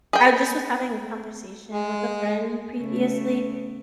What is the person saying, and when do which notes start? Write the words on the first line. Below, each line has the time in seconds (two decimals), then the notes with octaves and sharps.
I just was having a conversation with a friend previously
0.13 G#4 G5
1.70 G#3
2.78 C#3 A3